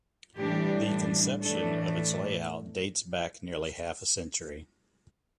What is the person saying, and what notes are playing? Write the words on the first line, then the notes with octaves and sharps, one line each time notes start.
The conception of its layout dates back nearly half a century.
A2 E3 G3 D4 G4
A2 E3 A3 D4 A4